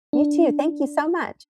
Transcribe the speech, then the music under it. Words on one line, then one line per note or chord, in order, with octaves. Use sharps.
You too. Thank you so much.
D4